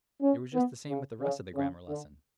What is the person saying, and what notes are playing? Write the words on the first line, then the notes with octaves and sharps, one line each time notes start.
It was just the same with the rest of the grammar lesson.
C#4
B3
C#3
C#3
C#3
D3